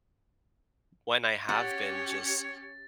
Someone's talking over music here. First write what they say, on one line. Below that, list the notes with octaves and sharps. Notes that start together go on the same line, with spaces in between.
when I have been just
C#4 G4 C#5 F#5 A6